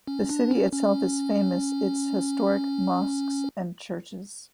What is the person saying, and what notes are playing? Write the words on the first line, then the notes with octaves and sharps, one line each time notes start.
The city itself is famous its historic mosques and churches.
C#4
D4
C#4
C#4